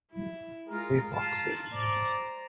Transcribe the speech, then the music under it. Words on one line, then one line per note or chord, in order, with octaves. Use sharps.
Hey Foxy!
E4
G#3 F4 A#4
F4 A5 A#5
C5 D5 A#5